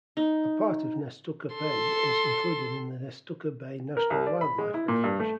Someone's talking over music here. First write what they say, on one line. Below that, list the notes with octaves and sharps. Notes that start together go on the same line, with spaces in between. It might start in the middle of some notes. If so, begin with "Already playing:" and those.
A part of Nestucca Bay is included in the Nestucca Bay National Wildlife Refuge.
D#4
A4 C6
A#4
C2
D5
B5
G#3
E4
A#2
G2
A3